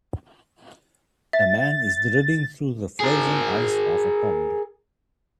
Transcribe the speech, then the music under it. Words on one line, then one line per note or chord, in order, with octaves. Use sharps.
A man is drilling through the frozen ice of a pond.
E5 A6
G#4 A#4